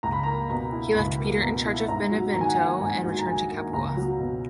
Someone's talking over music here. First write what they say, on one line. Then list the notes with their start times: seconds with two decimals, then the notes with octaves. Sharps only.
He left Peter in charge of Benevento and returned to Capua.
0.03 C#2 A#5
0.12 B5
0.23 A#3 A#5
0.50 B2 A#5
0.72 E4
0.95 C#2 B5
1.19 A#3
1.42 B2 A#5
1.65 E4
1.88 G#2 A#5
2.11 F#3
2.33 D#3 A#5
2.41 G#5
2.48 F#5
2.56 A#3 G#5
2.81 G#2 G#5
3.03 F#3
3.19 A#5
3.27 D#3 G#5
3.50 A#3
3.73 C#2 A#5
3.97 F#3
4.19 B2